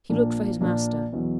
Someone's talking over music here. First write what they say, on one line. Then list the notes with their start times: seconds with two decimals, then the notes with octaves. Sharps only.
He looked for his master.
0.09 A#1 A#2 A#3 D4
0.61 A#1 A#2 A#3 D4
1.13 E2 B2 F#3